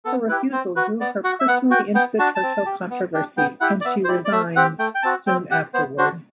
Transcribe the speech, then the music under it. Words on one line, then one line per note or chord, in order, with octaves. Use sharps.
Her refusal drew her personally into the Churchill controversy, and she resigned soon afterward.
B3 A4
E4 G4 B4
C4 C5
F#4 B4
B3 D5
F#4 F#5
E5
B3 F#5
F#4 G5
B3 G5
D4 F#4 A5
A5
C4
G4
B3
D4 G4
B3 G5
E4 G4 F#5
D5
B3 E5
C5
E4 G4 D5
D5
A3 E5
C4 G4 F#5
A3 G5
G5
C4 F#4 A5
C4 G5
G4 F#5
B3 C5
D4 F#4 C5